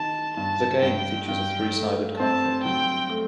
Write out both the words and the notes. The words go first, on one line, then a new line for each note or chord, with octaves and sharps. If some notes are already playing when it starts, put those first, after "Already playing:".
The game features a three-sided conflict.
Already playing: D#3 A5
G2 A5
G2 G5
G2 G5
A3
C4 A5
F#3 G5
A3